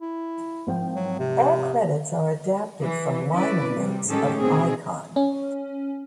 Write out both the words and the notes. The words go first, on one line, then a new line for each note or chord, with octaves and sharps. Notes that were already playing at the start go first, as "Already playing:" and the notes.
All credits are adapted from liner notes of "Icon".
E4
G#1 F3 G5
F#3
C3
E3
C#4 E4 B4 D5
C3 G3
A2 D#3 G#3 C#4 G4 A4
B2 D#3 C4 G#4
C#4